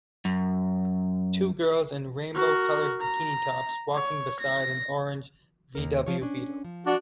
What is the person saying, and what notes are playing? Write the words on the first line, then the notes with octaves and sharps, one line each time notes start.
Two girls in rainbow colored bikini tops walking beside an orange VW Beetle.
F#2
F#4 A#4
A#5
C#5
A#6
D#2 A#4
F3 C#5
C#4 D4
F3
D4 F#4